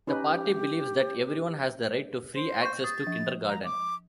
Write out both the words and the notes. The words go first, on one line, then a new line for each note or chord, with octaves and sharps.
The party believes that everyone has the right to free access to kindergarten.
C#4 D#4 G4 B4
C5
C#6 G6
D#6 A6
F3
A#5
D6